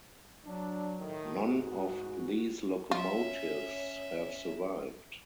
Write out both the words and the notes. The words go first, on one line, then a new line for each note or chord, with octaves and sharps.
None of these locomotives have survived.
F#3 D4
A2 D#3
G#2 F#4
C#4 F4 C#5 E5